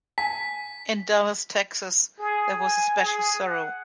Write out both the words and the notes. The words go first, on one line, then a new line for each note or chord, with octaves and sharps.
In Dallas, Texas, there was a special sorrow.
G#5 B6
G#4
G#5
G#4
F#5